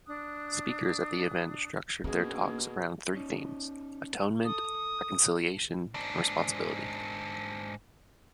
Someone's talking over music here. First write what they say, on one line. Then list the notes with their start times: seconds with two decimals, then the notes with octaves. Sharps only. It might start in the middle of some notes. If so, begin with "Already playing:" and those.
Speakers at the event structured their talks around three themes: atonement, reconciliation, and responsibility.
0.06 D4 D#6 F#6
2.04 B2 A#3 C#4 D4 G#4
3.15 C#4 D#4
4.45 A4 D#6
5.94 G#2 D4